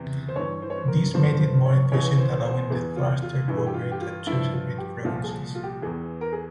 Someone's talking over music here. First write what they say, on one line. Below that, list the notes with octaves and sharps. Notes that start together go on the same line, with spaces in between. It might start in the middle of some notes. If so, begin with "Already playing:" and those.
This made it more efficient allowing the thruster to operate at two separate frequencies.
Already playing: E2 C3 E3
C5
G2 E3 C#5
C5
C#5
C5
A#4
G2 F3 C5
C5
C#5
C#2 C#3 E3 C#5
C5
C5
E2 E3 G#4
F4
F4
G2 E3 E4
G#4
G4
F4
G4
F4
G2 F3 E4
F4
G4
C2 A#2 F3 F4
G#4
F4
G4
E2 E3 G#4
A#4
G#4